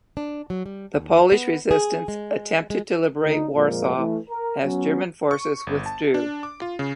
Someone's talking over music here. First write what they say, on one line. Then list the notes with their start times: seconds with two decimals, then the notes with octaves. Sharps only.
The Polish resistance attempted to liberate Warsaw as German forces withdrew.
0.17 D4
0.50 F#3
0.66 G3
0.94 D#2
1.32 B3
1.71 G#4
2.08 G#3
2.70 G#3
3.22 D2 D3 D#4
3.55 F2 A#2 F3 G#3 A#3 F4
3.96 E3 A3
4.30 A#4
4.64 F#3 B3 C#4
5.31 C#6
5.67 G1
5.86 A5
6.14 D4
6.43 D6
6.62 F4
6.79 C#3